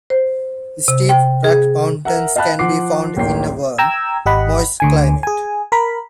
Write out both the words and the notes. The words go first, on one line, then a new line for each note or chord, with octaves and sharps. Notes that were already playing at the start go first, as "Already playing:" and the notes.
Steep, rugged mountains can be found in a warm, moist climate.
C5
C3
G5
G#4
A#4 E5 F#5
D#5 F5 G5 A5 B5 F#6
F3 F#5 D6 C7
D1 A1 A#3 C#5 G5 C7
G5 A#5 E6 G#6
G#1 G4 D#5 F#5 B5
D2 D3 G#5
G#4 G#5
A#4 B5